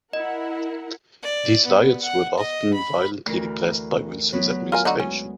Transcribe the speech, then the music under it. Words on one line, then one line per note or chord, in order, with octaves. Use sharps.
These riots were often violently repressed by Wilson's administration.
E4 A#4 D#5 F#5
D5
B3
F#5
D#5
B5
D2 E3 A#4
F#3 B3 B4
F4 A#4 G#5
D3 D#4 F#4
G#3 C#4